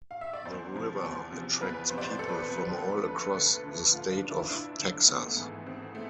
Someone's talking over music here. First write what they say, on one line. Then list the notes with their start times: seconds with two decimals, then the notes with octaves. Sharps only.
The river attracts people from all across the state of Texas.
0.11 F5
0.21 E5
0.33 D5
0.45 E2 C5
0.75 C3 F3
1.03 E2
1.31 C3 F3
1.61 E2 B4
1.90 C3 F3 C5
1.98 D5
2.05 C5
2.19 E2 A4
2.29 B4
2.39 A4
2.48 C3 F3 B4
2.58 A4
2.69 B4
2.76 D2 A4
2.88 B4
2.97 A4
3.05 D3 F3 B4
3.18 A4
3.27 B4
3.34 D2 A4
3.63 D3 F3
3.92 D2 F4
4.12 D4
4.21 D3 F3
4.31 E4
4.43 E4
4.50 D2 D4
4.79 D3 F3
5.08 G#1 B3
5.27 A3
5.37 G#2 E3
5.66 G#1 C4
5.95 A3